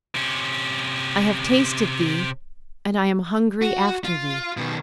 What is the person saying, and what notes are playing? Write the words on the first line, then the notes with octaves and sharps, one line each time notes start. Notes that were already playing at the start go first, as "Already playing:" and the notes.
I have tasted Thee, and I am hungry after Thee.
C3 C#4
F#4
F4
B2 D#3